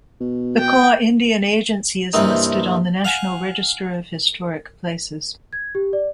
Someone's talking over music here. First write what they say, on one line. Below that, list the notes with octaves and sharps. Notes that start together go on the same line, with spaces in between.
The Kaw Indian Agency is listed on the National Register of Historic Places.
B2
G5
G2 C3 E3 A#3 C4 D#4
F5 F#5 G#5
G#6
G4
D5